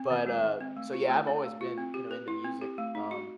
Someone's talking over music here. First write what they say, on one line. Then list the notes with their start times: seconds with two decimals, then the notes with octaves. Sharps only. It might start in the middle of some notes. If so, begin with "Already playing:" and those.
but, uh, so yeah, I've always been, you know, into music, um,
Already playing: C4
0.10 D#3
0.26 G#3
0.44 D#3
0.60 C4
0.77 A3
0.93 F4
1.10 A3
1.27 D4
1.44 A3
1.61 F4
1.78 C4
1.94 G4
2.11 B4
2.28 E4
2.45 C4
2.61 G4
2.78 A3
2.95 D#4
3.11 F#4